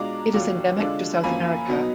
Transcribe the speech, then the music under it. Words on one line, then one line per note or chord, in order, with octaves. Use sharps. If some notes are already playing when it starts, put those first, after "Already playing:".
It is endemic to South America.
Already playing: B2 G#3 D4 F4 A#5 D6
D#2 D3 F#3 D4 F4
D3 G#3 D4 F4
F#2 F3 A#3 G#5 B5
B2 F#3 B3 D#4